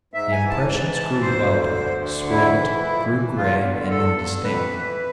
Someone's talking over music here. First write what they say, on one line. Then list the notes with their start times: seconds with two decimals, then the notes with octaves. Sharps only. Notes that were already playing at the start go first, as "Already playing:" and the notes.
The impressions grew wilder, swirled, grew gray and indistinct.
0.14 G#2 E5
0.32 G#5
0.40 E3
0.50 A5
0.68 G#2 A5
0.94 E3 A5
1.21 D2 C5
1.48 D3
1.75 D2
2.02 D3
2.29 F2 E4
2.56 E3
2.82 F2
3.09 E3
3.36 E2 F4
3.62 D3
3.89 E2 A4
4.17 D3
4.44 F2 B4
4.70 E3